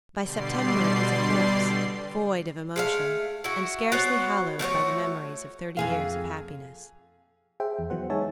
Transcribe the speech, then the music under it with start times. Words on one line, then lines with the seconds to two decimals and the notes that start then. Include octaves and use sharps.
By September it was a corpse, void of emotion, and scarcely hallowed by the memories of thirty years of happiness.
0.20 B2 D3 G3 D5 C6 C7
2.76 G#3 A3 F5
3.44 E4 F#4
3.92 B3 F#4 C5 C#5
4.59 F3 A3 F#4 C#5
5.77 F2 G#4 F5
7.60 G#4 C5 E5 G5
7.79 E2
7.90 E3 F#3 B3 C5 F#5
8.10 G#3 D#4 C#5 E5 G#5 A5